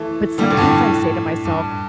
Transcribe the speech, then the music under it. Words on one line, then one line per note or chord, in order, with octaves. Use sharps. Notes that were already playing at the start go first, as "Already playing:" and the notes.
but sometimes I say to myself,
Already playing: E3 A3
D3 G3
A2 D3
G2
A2
G2